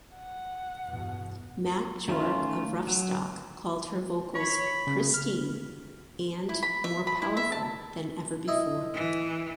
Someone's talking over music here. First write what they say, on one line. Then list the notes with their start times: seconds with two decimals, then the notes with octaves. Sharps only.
Matt Bjorke of "Roughstock" called her vocals "pristine" and "more powerful" than ever before.
0.16 F#5
0.86 E2 G2 B2
2.08 D#3 A3 C#4 F4
2.87 F#3
4.35 C#5 B5
4.87 C#3
5.14 F6
6.49 E4
6.63 B5
6.84 E5
7.07 B5
7.22 E4
7.37 E5
7.52 A5
8.48 E4 D#5
8.94 E3